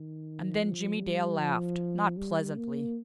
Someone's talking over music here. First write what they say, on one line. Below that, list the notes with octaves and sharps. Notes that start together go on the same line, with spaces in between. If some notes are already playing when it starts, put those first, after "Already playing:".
And then Jimmie Dale laughed--not pleasantly.
Already playing: D#3
F3
G3
F3
G3
A#3